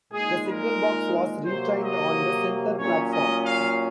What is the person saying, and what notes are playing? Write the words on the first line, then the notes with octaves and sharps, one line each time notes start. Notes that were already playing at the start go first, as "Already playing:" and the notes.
The signalbox was retained on the centre platform.
A#2 G#3 D#4 G#4
A#4
C3 F#3 A#3 C5
D#5
A#2 F#3 C#4 C#5
D#5
F5